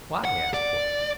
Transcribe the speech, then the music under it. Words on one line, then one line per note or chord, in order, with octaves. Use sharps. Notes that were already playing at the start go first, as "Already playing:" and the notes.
"Why?" asked Porthos.
F#5
D5